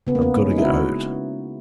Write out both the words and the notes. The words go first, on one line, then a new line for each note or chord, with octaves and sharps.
"I am going to get out."
C#3 B3
A#3
B3
G#3 C#4
D#4
E4
C#3 F#4